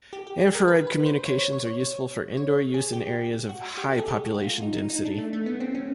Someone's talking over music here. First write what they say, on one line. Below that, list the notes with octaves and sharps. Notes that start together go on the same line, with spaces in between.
Infrared communications are useful for indoor use in areas of high population density.
G4
G4
G#4
A#4
B4
B4
C5
C#5
C#5
C#5
C#5
C#5
C#5
G#4
G4
F#4
G4
A4
G#4
G4
F#4
F4
D#4
D#4
D#4
D4
A3
A3
B3
C4
C#4